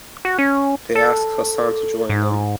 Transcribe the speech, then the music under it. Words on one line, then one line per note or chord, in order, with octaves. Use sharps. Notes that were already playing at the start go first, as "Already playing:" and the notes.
They asked Hassan to join them.
F#4
C#4
A4
G#2